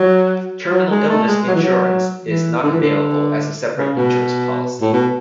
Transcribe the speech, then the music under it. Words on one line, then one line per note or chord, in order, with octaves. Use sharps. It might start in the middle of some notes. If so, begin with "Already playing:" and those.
Terminal Illness Insurance is not available as a separate insurance policy.
Already playing: F#3
F#3
G#3
A3
G#3
F#3
E3
F#3
E3
D3
E3
D3
C#3
B2
A2
B2